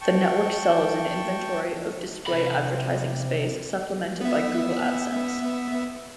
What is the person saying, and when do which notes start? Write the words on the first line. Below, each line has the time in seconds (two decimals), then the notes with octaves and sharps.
The network sells an inventory of display advertising space supplemented by Google AdSense.
0.01 G5 A5 C#6
2.27 C3 B5
4.21 B3 E5